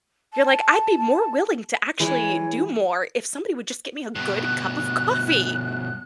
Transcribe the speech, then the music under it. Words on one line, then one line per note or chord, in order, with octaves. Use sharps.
You're like, "I'd be more willing to actually do more if somebody would just get me a good cup of coffee."
A5
E3 G#3 C#5
G2 B2 F#6